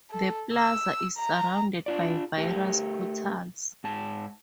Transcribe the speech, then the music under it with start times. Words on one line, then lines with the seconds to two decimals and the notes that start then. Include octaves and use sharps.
The plaza is surrounded by various portals.
0.11 A4
0.53 E6
1.17 A#5
1.86 D4 F4 D5
2.37 A3 G4 A#4
3.84 G#2 A5